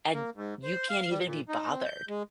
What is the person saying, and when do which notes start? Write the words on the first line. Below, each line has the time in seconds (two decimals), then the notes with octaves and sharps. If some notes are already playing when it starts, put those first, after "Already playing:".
and you can't even be bothered.
0.14 A#3
0.35 G#2
0.63 C5
0.89 F5
1.10 G3
1.26 A#2
1.49 D#4
1.70 C4
1.85 G6
2.08 G#3